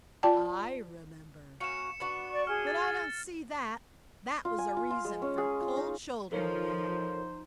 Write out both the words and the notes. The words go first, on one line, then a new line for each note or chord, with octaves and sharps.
I remember. But I don't see that that was a reason for cold-shouldering me.
F4 D5 G5 A5
A#3 C#4 F#4 C#7 E7
B3 D4 F#4
D5 C#6
G#4 F6
A6
F4
G#5
F4
F4
G#3
C#4
G#4
F4
D#4
F3 D#4 A4 A#4 C5 C#5